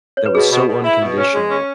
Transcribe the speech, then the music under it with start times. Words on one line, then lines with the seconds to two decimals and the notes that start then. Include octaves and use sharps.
that was so unconditional
0.17 C#5
0.26 B4
0.34 B2 G#4
0.51 B2
0.67 B2
0.84 E4
1.00 B2
1.17 C#4
1.33 G#3
1.50 C#4